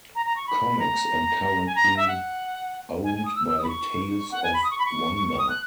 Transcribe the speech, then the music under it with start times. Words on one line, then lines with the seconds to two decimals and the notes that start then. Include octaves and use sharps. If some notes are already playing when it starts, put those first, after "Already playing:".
Comics and currently owned by Tales of Wonder.
0.15 A#5
0.25 A#5
0.36 C#6
0.47 B5
0.79 A#5
1.66 G#5
1.75 A#5
1.96 E5
2.07 F#5
3.04 G#5
3.14 G#5
3.25 D#6
3.35 E6
3.47 E6
3.57 D#6
3.63 B5
3.68 C#6
4.31 F#5
4.43 G#5
4.53 B5
4.63 D#6
4.70 C#6
4.79 B5
4.86 C#6
5.28 C#6
5.38 D#6
5.49 F#6